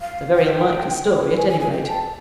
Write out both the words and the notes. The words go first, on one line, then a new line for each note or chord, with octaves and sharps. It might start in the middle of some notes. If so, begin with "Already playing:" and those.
It's a very unlikely story, at any rate.
F5
G5
G#5
G#5
G#5
G5
A5